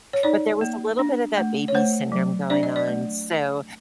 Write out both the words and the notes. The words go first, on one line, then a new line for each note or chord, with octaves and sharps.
but there was a little bit of that baby syndrome going on. So,
C#5
D#4 D5
A#3
D4
A3
C#5
A3 C5
F#3
D4 D5
D#5
D5
A3